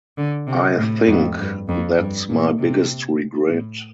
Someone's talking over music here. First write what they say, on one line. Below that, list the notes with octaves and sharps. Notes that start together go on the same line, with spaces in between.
I think that’s my biggest regret.
D3
C3
A2
F2
G2
F2
G2
A#2
C3
A2